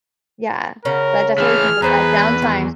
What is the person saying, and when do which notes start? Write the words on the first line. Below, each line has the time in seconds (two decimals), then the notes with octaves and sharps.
Yeah. But I definitely think that that downtime
0.85 C#3 C#4 A#4 F#5
1.38 E3 A3 G#4 F6
1.82 E2 A3 B4 C5 A#5
2.42 D#3